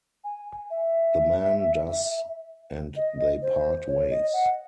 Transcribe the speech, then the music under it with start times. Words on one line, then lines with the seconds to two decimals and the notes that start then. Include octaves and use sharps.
The man does and they part ways.
0.24 G#5
0.70 E5
2.96 D#5
3.42 C5
3.88 C#5
4.10 D#5
4.33 F#5